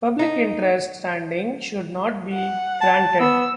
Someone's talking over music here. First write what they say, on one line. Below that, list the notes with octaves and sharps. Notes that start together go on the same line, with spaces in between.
Public interest standing should not be granted.
D#4
F#5
A5
B3 E6